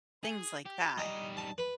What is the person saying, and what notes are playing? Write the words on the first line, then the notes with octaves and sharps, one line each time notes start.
things like that.
G#4
G4
G3 D#4 D#5
A5
B4